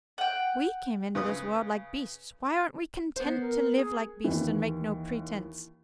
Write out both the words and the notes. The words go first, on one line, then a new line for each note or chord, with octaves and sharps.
We came into this world like beasts--why aren't we content to live like beasts, and make no pretenses?
F#5 G5
C#3 B4 D#6
B3 C5
A#4
G#4
D#2 E3